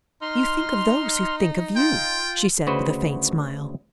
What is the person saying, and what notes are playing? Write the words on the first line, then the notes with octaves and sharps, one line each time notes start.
"You think of those who think of you," she said with a faint smile.
D#4 C6 F6
F4 G5
D2 C#3 F#4 B4 C5